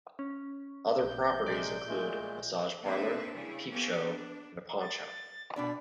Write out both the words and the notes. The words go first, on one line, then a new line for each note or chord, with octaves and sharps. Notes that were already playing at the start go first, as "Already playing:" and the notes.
Other properties include a massage parlour, a peep show and a pawn shop.
C#4
A#1 G6
C3 G#3 D5
A#2 G#3 A3
A#3 C4 D4 D#4 B4 E5
C#3 G3 E4 G#4
A#3 B3 C#4 G4 A4
D4
A6
B2 D4 D5 B5